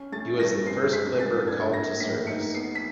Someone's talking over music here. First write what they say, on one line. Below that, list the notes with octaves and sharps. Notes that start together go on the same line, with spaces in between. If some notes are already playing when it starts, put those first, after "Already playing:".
He was the first Clipper called to service.
Already playing: C#4
A3 A6
G2 A#6
C4 C7
G#3 B6
G#2 A6
D4 G#6
A#3 A#6
A2 B6
D#4 C#7
B3 C7
B6